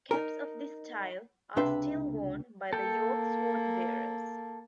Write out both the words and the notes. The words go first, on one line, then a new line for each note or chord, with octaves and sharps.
Caps of this style are still worn by the York Swordbearers.
D#4 A#4
C#2 C3 D4 B4 E5 C6
A#3 A4 G5